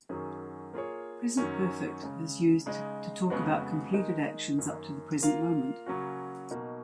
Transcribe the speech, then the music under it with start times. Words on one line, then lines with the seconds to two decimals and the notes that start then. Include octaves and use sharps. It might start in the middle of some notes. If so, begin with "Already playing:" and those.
Present Perfect is used to talk about completed actions up to the present moment.
0.09 F#2 D#3 F#3 C#4 G#4
0.74 A#3 F4 G#4 C#5
1.37 F#2 D#3 F#3 C#4
2.02 C#3 G#3 C#4
2.66 C#3 G#3 D#4 G#4 D#5
3.30 F2 C#3 G#3 B3 F#4
3.94 D#3 G#3 D#4
4.58 F#2 D#3 A#3
5.22 A#3 F4 A#4 F5
5.86 C#3 F#3 A#3 C#4 F#4
6.51 B2 F#3 A#3 D#4